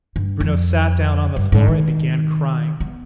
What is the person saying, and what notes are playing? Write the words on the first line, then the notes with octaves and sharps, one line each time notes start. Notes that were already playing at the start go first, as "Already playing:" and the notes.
Bruno sat down on the floor and began crying.
G2
F2
G2
G#2
D#3
B3